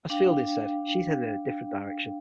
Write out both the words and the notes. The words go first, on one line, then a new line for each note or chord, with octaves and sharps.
As Fielding said, she's heading in a different direction.
D4 F5 G5